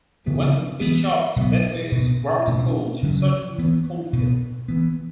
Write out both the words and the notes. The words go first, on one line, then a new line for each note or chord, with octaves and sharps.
He went to Bishop Vesey's Grammar School in Sutton Coldfield.
C#3 E3 B3
E3 B3
B2 F#3 B3
B2 B3
B2 A3 C#4
C#3 F#3 C#4
E3 B3
B2 B3
E3 B3